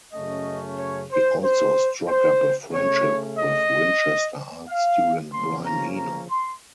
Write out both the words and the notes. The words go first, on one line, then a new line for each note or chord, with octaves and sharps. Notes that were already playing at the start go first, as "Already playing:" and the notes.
He also struck up a friendship with Winchester art student Brian Eno.
F#2 C#3 A3 C#4 D#5
C#5
C5
C5
C5
C#3 A3 C#4 C#5
D#5
F5
C#3 F3 A#3 C#4 C6
A#5
A#5
C6